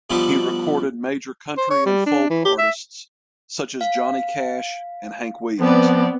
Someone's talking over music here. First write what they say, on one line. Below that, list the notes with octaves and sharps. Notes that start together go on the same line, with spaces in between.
He recorded major Country and Folk artists such as Johnny Cash and Hank Williams.
B2 D3 F3 G3 D4
C5
C#5
G3
D4
E3
G4
E5
F5
F3 B3 C4 D5